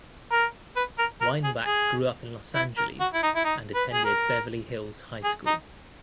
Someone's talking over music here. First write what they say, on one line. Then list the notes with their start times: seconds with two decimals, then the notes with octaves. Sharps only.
Weinbach grew up in Los Angeles and attended Beverly Hills High School.
0.31 A#4
0.76 B4
0.98 A#4
1.21 A#4
1.43 G#4
1.66 G#4
2.55 E4
2.78 A#4
3.00 F#4
3.13 E4
3.23 D#4
3.35 E4
3.45 D#4
3.75 B4
3.93 G#4
4.05 A#4
5.24 G#4
5.46 D#4